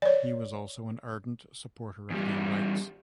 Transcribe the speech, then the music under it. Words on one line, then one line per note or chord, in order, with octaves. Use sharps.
He was also an ardent supporter of gay rights.
C#5 D5
E2 G3